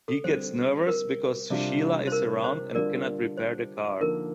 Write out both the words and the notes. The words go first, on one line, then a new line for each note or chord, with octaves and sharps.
He gets nervous because Sheela is around and cannot repair the car.
A4
D3 G3 C4 C5
A#4
C3 G3 D4 F4
C5
A#4
C5
D3 G3 D4 F4 A#4 D5
C5
D3 F3 A#3 D#4 A#4